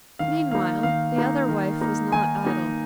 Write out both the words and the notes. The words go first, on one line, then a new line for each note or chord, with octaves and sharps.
Meanwhile the other wife was not idle.
D#3 F5
A#3 D#4 F5
D#3 F5
A#3 D#4
D#3
A#3 D#4
D#3 G#5
A#3 D#4